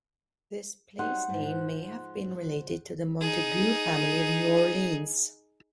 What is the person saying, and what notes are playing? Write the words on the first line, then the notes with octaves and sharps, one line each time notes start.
This place name may have been related to the Montegut family of New Orleans.
F#3 G3 D#4 C5 F#5
G#2 F3
D#4 G#4